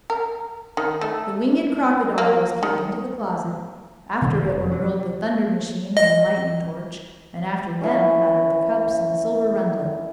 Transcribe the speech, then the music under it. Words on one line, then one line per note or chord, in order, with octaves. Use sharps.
The winged crocodile was kicked into the closet, after it were hurled the thunder machine and the lightning torch, and after them clattered the cups and the silver rundlet.
A#4
D#3
A3
A#3
D#3
C3 D#3 G3 A#3
F1 F#2
F#3
D#5
E3 C#4